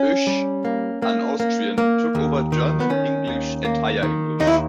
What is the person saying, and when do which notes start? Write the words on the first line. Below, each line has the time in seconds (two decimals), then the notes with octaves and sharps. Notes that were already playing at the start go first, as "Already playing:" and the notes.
Oesch, an Austrian, took over German, English and Higher English.
Already playing: C#4
0.27 G3
0.65 A#3
1.02 A#3
1.40 A#3
1.78 A#3
2.15 D#2
2.52 D#3
2.80 B3
2.90 D#3 C#4
3.27 D#2
3.65 A#3
4.03 D#3
4.40 D#2 D#4
4.47 E4